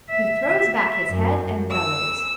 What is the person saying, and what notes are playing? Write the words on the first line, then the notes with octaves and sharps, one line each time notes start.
He throws back his head and bellows.
E5
E5
F#2
E6